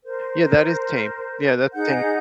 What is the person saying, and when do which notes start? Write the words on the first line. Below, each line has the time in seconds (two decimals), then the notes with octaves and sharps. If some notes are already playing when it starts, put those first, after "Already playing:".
Yeah, that is tame. Yeah, that's tame.
0.04 A#4 C5
1.74 D#4 G#4 F#5 G6